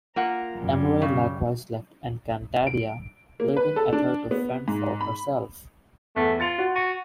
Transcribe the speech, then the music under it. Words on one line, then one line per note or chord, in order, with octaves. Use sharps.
Emre likewise left Encantadia, leaving Ether to fend for herself.
A#3 F4 F#5 A#5
F#2 G3
C#3
D7
A#3
B4
A4
D4
B3
G#2
B5
E2 A3
F4 A6 C#7 F7
F#4
F#4 D#7